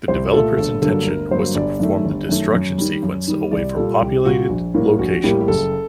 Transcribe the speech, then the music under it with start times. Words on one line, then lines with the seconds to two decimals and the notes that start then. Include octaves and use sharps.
The developers' intention was to perform the destruction sequence away from populated locations.
0.08 C2 C5
0.33 A#2 A3 A4
0.57 G1 A4
0.82 G2 D3 F#3 A#3 A4
1.06 G1 A#4
1.31 G2 D3 F#3 A#3 C5
1.55 G1 D5
1.80 F#2 D#3 A3
2.05 G1
2.29 F#2 D#3 A3
2.54 F#2
2.78 D#3 G3
3.03 F#2
3.28 D#3 G3
3.51 C2 D5
3.76 A#2 G3 A4
4.01 C2 G4
4.25 A#2 G3 F#4
4.50 A#1
4.74 A2 G3 A#3
4.99 A#1 F#4
5.23 A2 G3 A#3 G4
5.41 G4
5.48 F#1 A4